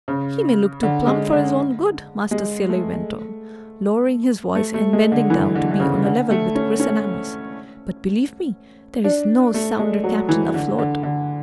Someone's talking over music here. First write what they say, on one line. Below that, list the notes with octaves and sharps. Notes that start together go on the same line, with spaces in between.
He may look too plump for his own good," Master Cilley went on, lowering his voice and bending down to be on a level with Chris and Amos, "but believe me, there's no sounder captain afloat.
C#3
D3
G#3
D3
G#3
A3
A3
A3
G#3
D3
E3
D3
D3
C#3
D3
A3
C#4
C#4
D4
A3
G#3
F#3
E3
D3
D3
D3